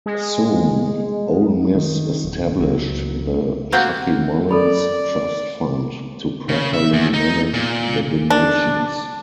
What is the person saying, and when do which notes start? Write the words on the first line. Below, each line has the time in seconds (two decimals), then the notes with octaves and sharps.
Soon, Ole Miss established the "Chucky Mullins Trust Fund" to properly manage the donations.
0.06 G#3
1.75 D#3
2.25 D1
2.59 C#2 F#3 A#3
3.72 A#3 C4 F#4 G4
4.51 A4 D5 B5
6.49 C#3
6.74 E5
6.93 E2
7.14 D#4
7.54 A#2
8.30 D4